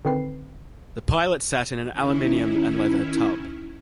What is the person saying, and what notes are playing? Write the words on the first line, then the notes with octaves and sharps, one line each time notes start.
The pilot sat in an aluminium-and-leather tub.
D3 D#3 C4 B4 C7
D#3 C#4 E4